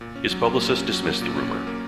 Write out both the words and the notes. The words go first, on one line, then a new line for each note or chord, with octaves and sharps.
His publicist dismissed the rumor.
A#2
C#4
F#3
A#3
A#2
C#4
F#3
A#3
A#2
C#4
F#3
A#3